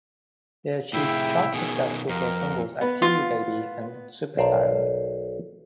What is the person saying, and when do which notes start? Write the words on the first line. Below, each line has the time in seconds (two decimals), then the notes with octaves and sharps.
They achieved chart success with their singles "I See You Baby" and "Superstylin'".
0.93 A2 C3 E4 G#4 E5 G5
1.53 B2 D#3 G#4
2.09 F2 A#4
2.81 B3 B4
3.02 F4
4.37 B1 A#4 C5 D5 A5 A#5